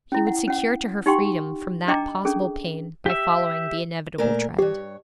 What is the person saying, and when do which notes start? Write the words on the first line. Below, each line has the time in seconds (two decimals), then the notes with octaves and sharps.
He would secure to her freedom from that possible pain by following the inevitable trend.
0.12 C#4 E4
0.27 F#5
0.48 C#4 F#5
1.06 D#4 G4 F#5 G5 C6 C#6
1.88 D4 D#5 G5 A#5 D6
2.25 C#4 D4 G#4 A4
3.06 G4 E5
4.18 A#2 A3 A#4
4.59 G2 G4 C#5